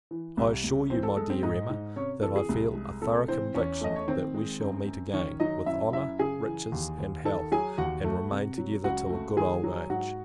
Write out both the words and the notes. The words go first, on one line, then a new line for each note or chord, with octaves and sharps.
I assure you, my dear Emma, that I feel a thorough conviction, that we shall meet again, with honour, riches, and health, and remain together till a good old age.
E3
C2
C2
E3 C4 C5
A4
G#3 A4
C4 C5
G#2 D#4 D#5
G#2
C3 C#4 C#5
E3 A4
G#4
C2
G#3
C3 A4
E3 C4 C5
E2 C#4 C#5
A3 D#5
C#5
D#3 C4 C5
G#3
F#2
F#2
D#3 C#4 C#5
F#3 D#4 D#5
F#2 E4 E5
F#2 E4 E5
C#3 G#4 G#5
E3
D#2
D#2
D#3 A4 A5
F#3 G#4 G#5
D#2 F#4 F#5
A3
C3
F#3
C#2 F#4 F#5
A3
D#3 G#4 G#5
F#3
G#2 F#4 F#5